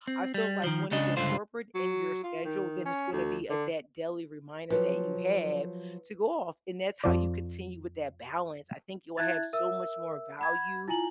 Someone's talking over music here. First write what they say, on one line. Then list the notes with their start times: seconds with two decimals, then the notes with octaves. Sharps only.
I feel like when it's incorporate in your schedule, then it's gonna be a that daily reminder that you have to go off. And that's how you continue with that balance. I think you will have so much more value
0.08 C4
0.34 G3
0.64 D#3 F3
0.91 C#2 C#3 D4 D#5
1.17 C#2 G2 D3 F4 C5
1.75 F#3
2.23 F4
2.45 D#3
2.85 C#4
3.13 D2
3.50 D3
4.71 F3 F#3 G4 B4
7.04 F2 F3 D5
9.17 E4 E5 F#6 G#6 A6
9.53 A#4 E5 E6
10.39 F#5 B5 G#6
10.88 E4 F4 G#5 A#5 F#7